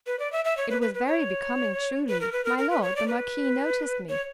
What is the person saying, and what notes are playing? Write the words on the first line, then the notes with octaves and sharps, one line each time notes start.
It was very becoming truly;--my lord, the Marquis, noticed me.
B4
D5
E5
E5
C#5
B4
B4
B4
C#5
B4
A#4
B4
A#4
A#4
B4
C#5
D5
B4
C#5